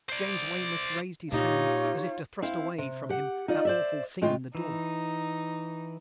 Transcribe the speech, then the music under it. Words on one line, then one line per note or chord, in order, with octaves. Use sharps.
James Weymouth raised his hands, as if to thrust away from him that awful thing in the door.
C5 D5
A#2 A#3 D#4 F4 G4 C#5
C4 E4 F5
C3
G4 F#5
D#4 F4 D5 D#5
C5 D5 E5
A2 G#3 C4 F4 G5
E3 D#4